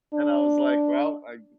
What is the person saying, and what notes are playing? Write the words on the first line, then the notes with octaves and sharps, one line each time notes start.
and I was like, "Well, I g"
D4